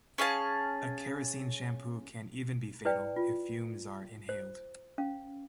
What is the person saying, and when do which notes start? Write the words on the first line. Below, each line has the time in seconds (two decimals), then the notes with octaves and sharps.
A kerosene shampoo can even be fatal if fumes are inhaled.
0.18 C#4 G#4 F5 A5
2.85 E4 B4 D5 G5
3.16 F4
4.29 C5
4.98 C#4 F5